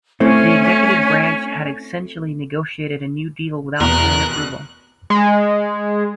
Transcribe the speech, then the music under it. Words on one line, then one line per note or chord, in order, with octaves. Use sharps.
The executive branch had essentially negotiated a new deal without Senate approval.
A3 C4 C#4 E4
F1 E2 B2 A#4 F#6
G#3